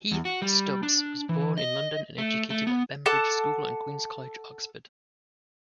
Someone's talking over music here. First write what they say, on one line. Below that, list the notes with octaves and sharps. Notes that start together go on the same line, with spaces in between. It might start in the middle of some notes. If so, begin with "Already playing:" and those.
Heath-Stubbs was born in London, and educated at Bembridge School and Queen's College, Oxford.
E2
F#4
G3
D4
E3
D#5
A3
A3
B3
A4 F#5 A5 D6